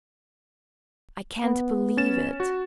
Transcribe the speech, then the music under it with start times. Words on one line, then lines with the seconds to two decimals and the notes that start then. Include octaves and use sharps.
I can't believe it!
1.43 B3
1.97 C#4 A6 E7
2.40 F#4